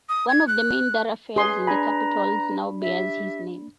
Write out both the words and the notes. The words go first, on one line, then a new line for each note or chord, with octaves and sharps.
One of the main thoroughfares in the capital now bears his name.
D#6
G#6
F#6
G#4 B4 C6 D#6
D4 G#5 A#5 B5
G4 E5